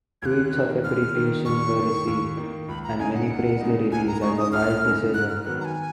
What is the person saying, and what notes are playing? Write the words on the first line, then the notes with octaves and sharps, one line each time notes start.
Tweets of appreciation were received and many praised the release as a wise decision.
D#2 F#6 G#6
D#3 A#3
D#2 F6
D#3 A#3
D#2 C#6
D#3 A#3
D#2
D#3 A#3
C#2 B5
A#5
C#3 G#3 D#4 G#5
F#5
C#2
C#3 G#3 D#4
C#2 G#5
A#5
C#3 G#3 D#4 C#6
D#6
C#2 F6
C#3 G#3 D#4
G#2 F#6
F6
D#3 F#3 B3 F#6
A#5
G#5